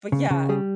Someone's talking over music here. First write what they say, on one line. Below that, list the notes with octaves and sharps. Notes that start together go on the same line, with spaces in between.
But yeah
C#3
C#3
G3 G#4